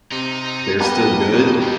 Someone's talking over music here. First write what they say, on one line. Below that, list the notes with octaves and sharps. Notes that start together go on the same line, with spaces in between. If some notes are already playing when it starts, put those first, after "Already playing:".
they're still good
C3 D#4
G3 A#3 B3 D4 D#5
F2
C#2